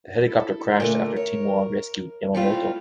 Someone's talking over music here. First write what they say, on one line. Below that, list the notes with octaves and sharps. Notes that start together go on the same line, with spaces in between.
The helicopter crashed after Tingwall rescued Yamamoto.
E4 A4
A#2 D3 A3 A#4
C#5
G3 A3 C4 E4 F4